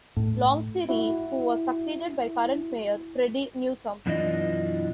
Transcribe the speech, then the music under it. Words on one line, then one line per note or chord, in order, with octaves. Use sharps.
Longserre who was succeeded by current mayor Freddie Newsome.
A2
E4 F#4
F#2 B2 E3 D4 F4 D#5